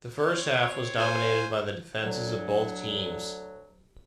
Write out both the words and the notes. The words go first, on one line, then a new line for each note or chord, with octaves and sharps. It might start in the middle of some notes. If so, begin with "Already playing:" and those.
The first half was dominated by the defenses of both teams.
C4 C#5
F4 C5 G#5
D2 D3 F#3